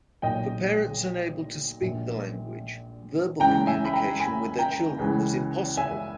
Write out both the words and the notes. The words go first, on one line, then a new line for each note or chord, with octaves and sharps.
For parents unable to speak the language, verbal communication with their children was impossible.
B1 A#2 D#5 G5
A#1 A#2
C#2 C#3 E3 G5 A#5
E5 G#5
B5
G5 A#5
G#5 B5
G5 A#5
C#2 C#3 E3
E5 G#5